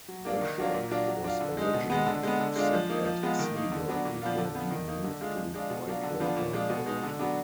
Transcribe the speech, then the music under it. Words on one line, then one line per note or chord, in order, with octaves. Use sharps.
"The Shak" was originally set at Sea World before being moved to WhiteWater World.
F#3
A#3 D4 F4
D#3
F#3 D4 F4
A#2
F#3 D4 F4
F#3
D4 F4
D3
G#3 D#4
B2
G#3 B3
D3
G#3 B3
D3
G#3 D4 F4
F3
A#3 D#4
F3
G#3 B3 F4
D#3
A#3 D#4
D3
F#3 B3 D4
A#2
F3 B3 D4 F4
D3
F3 B3 F4
D#3
A#3 D#4
D3
G#3 D4 F4
F3
G#3 D4 F4
B2
F#3 D4 F4
D3
F3 B3 D4 F4
A#2
F3 G#3 D4 F4
B2
G#3 D#4
D3
F#3 B3 D4